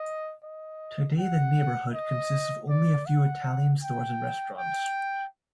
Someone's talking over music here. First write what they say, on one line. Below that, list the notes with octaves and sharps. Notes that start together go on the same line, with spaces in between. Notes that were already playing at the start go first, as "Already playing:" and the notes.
Today the neighborhood consists of only a few Italian stores and restaurants.
Already playing: D#5
D#5
F#5
D#5
D5
F#5
G5
G5